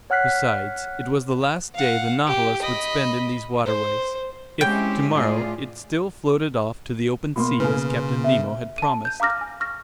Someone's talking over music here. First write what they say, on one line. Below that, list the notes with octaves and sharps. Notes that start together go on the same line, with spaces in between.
Besides, it was the last day the Nautilus would spend in these waterways, if, tomorrow, it still floated off to the open sea as Captain Nemo had promised.
C#5 F#5 F6 F#6 B6 C7
F5 F#5
G4
D#5 B5
C5
G#3 C4 C#4 E4 G4 G5
A2 F4 G#4 D5
B2 A#3 B5 C6
C#3 B4 G#5
E5
A5 D#7
G6
F5 A#5 D6 F6 A#6
G#5
C#6 F6 A#6